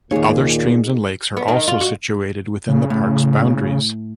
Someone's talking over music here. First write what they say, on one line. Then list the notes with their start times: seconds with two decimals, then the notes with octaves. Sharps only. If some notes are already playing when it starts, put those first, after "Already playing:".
Other streams and lakes are also situated within the parks boundaries.
0.11 D#2 A#2 A#3 D#4 G#4 C#5
1.37 B3
1.48 D#3
1.68 F4
1.81 F#4
2.69 C#3
2.90 A2